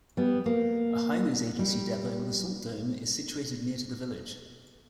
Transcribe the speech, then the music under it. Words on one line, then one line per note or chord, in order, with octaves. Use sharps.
A Highways Agency depot with a salt dome is situated near to the village.
G3 B3
A#3
G3